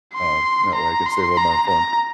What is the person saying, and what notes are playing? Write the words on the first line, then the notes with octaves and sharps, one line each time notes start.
Um, that way, I could stay a little more informed.
C6
A#5
C6
A#5
A#5